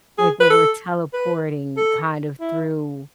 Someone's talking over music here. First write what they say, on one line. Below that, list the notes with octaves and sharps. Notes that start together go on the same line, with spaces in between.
Like, where we're teleporting kind of through
G#4
B4
A4
B4
A4
E4